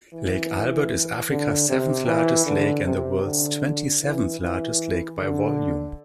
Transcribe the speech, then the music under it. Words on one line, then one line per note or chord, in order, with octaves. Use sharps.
Lake Albert is Africa's seventh-largest lake, and the world's twenty-seventh largest lake by volume.
E3
D3
C3
E3
D3
C3
D3
E3
E3
D3